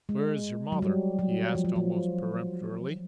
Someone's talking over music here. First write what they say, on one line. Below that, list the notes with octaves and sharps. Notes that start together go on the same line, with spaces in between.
"Where is your mother?" he asked, almost peremptorily.
G#3
F#3
G3
F#3
F3
F#3
F3